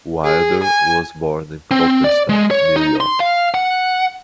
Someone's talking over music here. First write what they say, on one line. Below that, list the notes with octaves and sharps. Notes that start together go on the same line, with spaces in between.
Wilder was born in Cooperstown, New York.
G#4
G#5
C4
D5
G#3
C#5
D#4
C6
F5
F#5